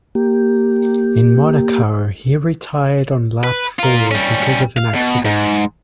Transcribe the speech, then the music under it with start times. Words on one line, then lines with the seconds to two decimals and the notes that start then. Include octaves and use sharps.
In Monaco he retired on lap four because of an accident.
0.15 A#3 G4
3.44 B4
3.79 F4 A#4
4.11 G3 C#4
4.77 F5
4.94 B2
5.25 G#2